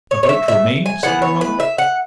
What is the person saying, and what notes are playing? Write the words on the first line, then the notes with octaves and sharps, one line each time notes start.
"About Romayne?" said her mother.
C#5
C#5
E5
E5
G#5
E3 B3 F#5
C#5
B4
E5
F#5